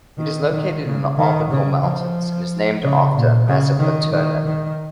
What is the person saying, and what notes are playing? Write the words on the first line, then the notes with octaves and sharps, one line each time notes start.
It is located in the Arbuckle Mountains and is named after Mazeppa Turner.
D#3
D#3
C#3
D#3
C#3
F3
C#3
A#2
C#3
D#3
D#3
D#3